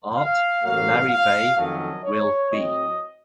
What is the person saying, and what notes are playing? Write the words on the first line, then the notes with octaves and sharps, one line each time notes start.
Art: Larry Bay, Will B.
F5
A1 A2 F#3 A#3 F5
F5
F2 D#3 F#3 A3 C#4 D#5
C#5
A2 F#3 C4 D#5